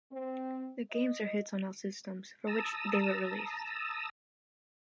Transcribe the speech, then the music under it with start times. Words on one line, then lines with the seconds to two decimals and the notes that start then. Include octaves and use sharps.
The games were hits on all systems for which they were released.
0.12 C4
0.92 D#5
2.47 A5 A#5 D#6 E6